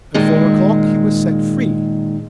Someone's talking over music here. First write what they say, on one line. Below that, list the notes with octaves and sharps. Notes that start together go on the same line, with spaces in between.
At four o'clock he was set free.
A#2 D#3 G#3